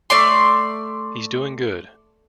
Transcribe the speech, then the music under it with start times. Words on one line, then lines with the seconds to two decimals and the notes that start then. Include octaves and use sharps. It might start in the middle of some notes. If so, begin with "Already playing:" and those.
He's doing good.
0.10 A3 D5 C6